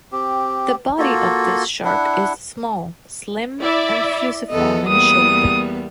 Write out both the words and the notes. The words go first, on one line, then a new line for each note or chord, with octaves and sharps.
The body of this shark is small, slim, and fusiform in shape.
C4 G4
A#3 F4 F#4 A4
D4 E4 F#5
E4 D5 E5
E2 B3 A4 D#5
E2 G3 A#3 D#6